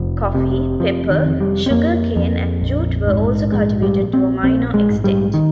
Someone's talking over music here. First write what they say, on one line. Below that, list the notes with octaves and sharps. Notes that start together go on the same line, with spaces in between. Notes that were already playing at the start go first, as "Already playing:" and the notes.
Coffee, pepper, sugarcane and jute were also cultivated to a minor extent.
Already playing: F1 F3
C3
F1 F3
D#3
F2
G3
C4
F2 A#3
F2
A#1
G#2
A#1 G#3
G3
A#1
C4
A#1 C4
G#3
G#2
G3
D#3